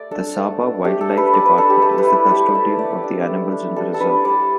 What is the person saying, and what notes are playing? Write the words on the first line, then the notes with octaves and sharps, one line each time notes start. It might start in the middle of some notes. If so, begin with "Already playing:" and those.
The Sabah Wildlife Department is the custodian of the animals in the reserve.
Already playing: A3 D5
D4 A4
A3
D4
A3 G4
A4
D4
B4
A3 D5
B4
D4 A4
G4
A3 A4
B4
E4
A4
A3 G4
D5
E4 E5
A3 D5
D4
A3
D4
G3 A4
A4
D4 B4
G3 D5